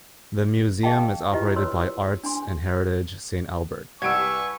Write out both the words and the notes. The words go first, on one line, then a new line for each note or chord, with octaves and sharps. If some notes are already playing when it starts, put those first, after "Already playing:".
The museum is operated by Arts and Heritage St. Albert.
G#4 D#5 F5 G5 A5
E4 F4 G4 B4 D#5
B4 C#5 C6 E6
D4 G#5 C6
C2 G4 B4 G#5 C#6 E6 G#6 D7